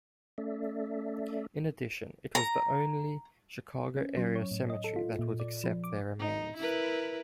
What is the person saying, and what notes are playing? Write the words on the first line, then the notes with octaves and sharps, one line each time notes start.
In addition, it was the only Chicago-area cemetery that would accept their remains.
A3 C#4 A4 D5 E5
A#5
C#4
F#3
C#5
A2
D#5
A4
F4
A#2
D5
F3
D6
D#4
E4 A#4 B4